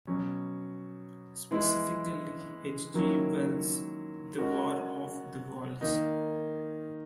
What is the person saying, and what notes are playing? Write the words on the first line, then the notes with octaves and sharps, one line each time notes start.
Specifically, H. G. Wells' "The War of the Worlds".
B2 F#3 C#4
E3 G#3 B3 E4
D#3 F#3 A#3 C#4 E4
G#3 C#4 F#4 A#4
D#3 A#3 D#4